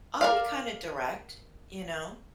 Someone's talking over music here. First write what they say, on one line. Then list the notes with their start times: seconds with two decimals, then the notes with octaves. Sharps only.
I'll be kinda direct. You know?
0.21 A#4 D5 F5